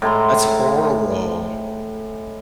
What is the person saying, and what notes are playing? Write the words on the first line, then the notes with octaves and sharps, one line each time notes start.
That's horrible.
A2 G#3 A#5 C6